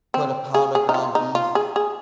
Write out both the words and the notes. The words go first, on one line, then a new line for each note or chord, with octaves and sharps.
put a pound of ground beef
C4
G#4
G#4
D#4
F4
D#4
F4
G#4
G#4